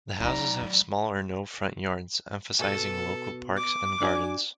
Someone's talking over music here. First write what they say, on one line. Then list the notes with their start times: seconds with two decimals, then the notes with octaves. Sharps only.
The houses have small or no front yards, emphasizing local parks and gardens.
0.20 F#3 D4 D#4 D5 A#5
2.59 B2 A4
3.57 D6
4.00 D4 F#4 G#5